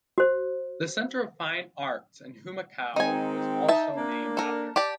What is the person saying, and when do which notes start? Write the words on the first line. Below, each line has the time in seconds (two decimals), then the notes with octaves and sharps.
The center of fine arts in Humacao was also named after him.
0.18 F#4 C5
2.96 D#3 G#3 C4 D#4 G#5
3.68 D#4 E5 A5
3.96 A#3 D4
4.37 A4 A#4
4.76 G4 D5 A5